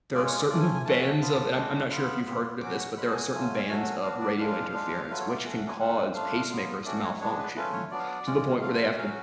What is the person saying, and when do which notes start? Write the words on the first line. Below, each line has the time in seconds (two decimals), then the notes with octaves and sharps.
there are certain bands of and I'm I'm not sure if you've heard of this, but there are certain bands of radio interference which can cause pacemakers to malfunction to the point where they have to
0.14 G#3 C#4 F4 D5
0.26 C#5
0.38 D5
0.49 A3 C#4 F4 D5
0.61 G#5
0.74 G#5
0.85 A3 C#4 F#4 A5
1.21 B3 F4
1.56 G#3 D4 F#4
1.91 B3 F4 B5
2.26 B3 F4
2.61 F#3 C#4 F#4 D6
2.75 B5
2.80 C#6
2.96 G#3 C#4 F#4 B5
3.11 A5
3.14 G#5
3.33 F#3 A3 C#4 F4
3.68 F#3 A3 C#4 F#4
4.03 B3 D4 F#4 F5
4.20 D5
4.38 G#3 D4 F4 F5
4.73 G#3 D4 F4
5.09 F#3 A3 F4 B4
5.20 C#5
5.28 D5
5.36 F5
5.44 A3 C#4 F#4 F#5
5.56 F#5
5.67 G#5
5.79 A3 F4 F#5
6.14 A3 D4 F4 F5
6.50 F#3 B3 F4
6.85 A3 C#4 F#4 D5
6.97 D5
7.03 C#5
7.20 G#3 B3 D4 C#5
7.38 B4
7.56 A3 C#4 F4 B4
7.73 C#5
7.91 F#3 B3 D4 D5
7.99 F5
8.06 D5
8.27 G#3 C#4 F4
8.61 F#3 A3 F4 F5
8.74 F#5
8.85 F#5
8.97 F#3 C#4 F#4 F5